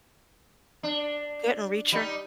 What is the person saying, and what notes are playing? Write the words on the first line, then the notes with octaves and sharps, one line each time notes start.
Didn't reach her.
D4
G3 D#4